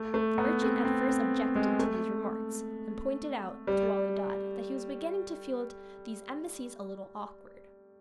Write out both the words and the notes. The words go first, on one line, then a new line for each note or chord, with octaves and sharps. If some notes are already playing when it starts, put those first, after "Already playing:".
The merchant at first objected to these remarks, and pointed out to Wali Dad that he was beginning to feel these embassies a little awkward.
Already playing: A3
A3
B3
C4
C4
C4
G#3
A3
G3